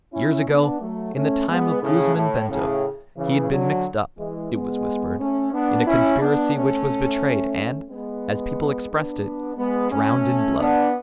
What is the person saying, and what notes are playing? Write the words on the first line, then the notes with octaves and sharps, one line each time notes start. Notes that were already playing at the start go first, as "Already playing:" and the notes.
Years ago, in the time of Guzman Bento, he had been mixed up, it was whispered, in a conspiracy which was betrayed and, as people expressed it, drowned in blood.
C#4 E4
B3 D4
F#3 A3
A3 C#4
G#3 B3
A2 C#3
A2
A2 C#3
C#3 E3
D3 F#3
E3 G#3
G#3 B3
A3 C#4
B3 D4
C#4 E4
B3 D4
A3 C#4
G#3 B3
B3 D4
G#3 B3
A3 C#4
B3 D4